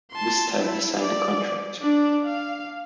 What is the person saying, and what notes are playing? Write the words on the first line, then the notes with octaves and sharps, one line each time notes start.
This time he signed a contract.
A5 C6
E4
D5
D4 D5
F5